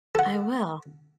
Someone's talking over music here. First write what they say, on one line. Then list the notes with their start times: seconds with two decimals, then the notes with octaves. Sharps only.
I will.
0.15 A4 F#5